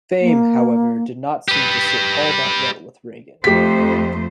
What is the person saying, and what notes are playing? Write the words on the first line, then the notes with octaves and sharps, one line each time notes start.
Fame, however, did not seem to sit all that well with Regan.
A#3
G4 B4
F2 A3 G4 C5 B6